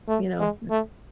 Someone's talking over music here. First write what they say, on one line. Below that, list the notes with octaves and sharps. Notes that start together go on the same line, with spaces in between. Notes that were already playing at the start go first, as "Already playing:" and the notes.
you know,
A3
G#3
A3